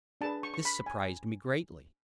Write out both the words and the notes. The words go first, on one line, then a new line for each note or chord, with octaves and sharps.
This surprised me greatly.
D4 G#4 B4 A5
C#6
C#6
B5
G#5